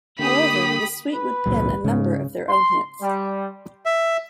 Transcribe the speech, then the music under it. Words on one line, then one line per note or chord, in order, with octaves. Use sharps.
However, the Sweet would pen a number of their own hits.
D3 A#3 G4 B5 D#6
B4
G#1 C#2 A#2 F#3
G#2 C#3
C6
G3
E5